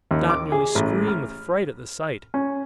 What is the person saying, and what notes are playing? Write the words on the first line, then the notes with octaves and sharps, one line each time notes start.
Dot nearly screamed with fright at the sight.
D#2
D6
G#4
A1
F6
C#4